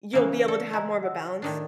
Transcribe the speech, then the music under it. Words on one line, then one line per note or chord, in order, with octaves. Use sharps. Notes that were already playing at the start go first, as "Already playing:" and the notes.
you'll be able to have more of a balance.
C#3 E3 A#3 C#4
A4 D5
E4 D#5 G#5 A#5
F#5 E6
A2 D#3 D4